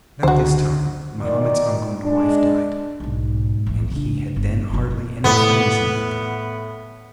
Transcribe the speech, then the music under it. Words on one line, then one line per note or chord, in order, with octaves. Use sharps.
About this time Mohammed's uncle and wife died, and he had then hardly any friends in Mecca.
C#2 D3 F#4 C5
A#2 D#3 D5
G#3 D4
B1 G#2
A2 E3
C#3 D4
G1
F2 F4
A2 B3 D6